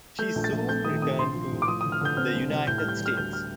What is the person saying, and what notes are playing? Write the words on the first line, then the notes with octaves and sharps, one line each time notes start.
She soon returned to the United States.
A3 G6
A#1
A6
A#1
A3 G6
D#3 D#6
C3 D#6
A#1 C6
F3
A2
D6
F3 D#6
D3 D#6
F6
D3 G6
C4 F6
C2
C2
A2 G6
F6
G3 G6
G3
F6
D2 G6
F6